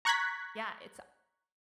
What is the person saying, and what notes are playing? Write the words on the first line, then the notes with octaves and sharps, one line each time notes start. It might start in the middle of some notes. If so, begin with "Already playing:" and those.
yeah, it's
A#5 C#6 F#6 G#6 A#6 B6